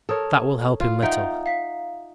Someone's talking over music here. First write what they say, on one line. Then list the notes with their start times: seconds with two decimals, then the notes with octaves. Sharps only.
That will help him little.
0.09 A4 A#4 C#5 A5 D#6
0.80 F4
1.03 D#4 E5 F#5 G5 A#5
1.46 F5 B6